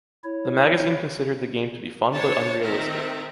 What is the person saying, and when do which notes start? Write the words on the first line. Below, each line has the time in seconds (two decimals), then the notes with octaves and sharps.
The magazine considered the game to be fun but unrealistic.
0.24 E4 C#5
2.14 D4 C5 C#5 A5
2.64 D#3 C4 A#4 E5